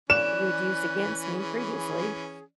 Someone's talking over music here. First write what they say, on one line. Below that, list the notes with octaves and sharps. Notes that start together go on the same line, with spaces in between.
you had used against me previously eh,
E3 C#4 D5 F#6 E7
G#4